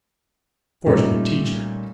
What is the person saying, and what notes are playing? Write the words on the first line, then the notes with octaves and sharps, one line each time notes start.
Fortunate teacher!
A#2 G3 A3 C#4 D#4